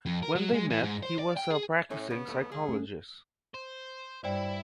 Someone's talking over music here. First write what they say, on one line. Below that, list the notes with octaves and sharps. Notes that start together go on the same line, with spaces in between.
When they met he was a practicing Scientologist.
F2
A#4
F#3
G#3
E3
G#2
C5
D5
G5
G#4
A2 C#4
C#3 B3
D#2 A3
C#2 G#4
A3 C#4
C5
G2 E4 C5 D5 E5 G5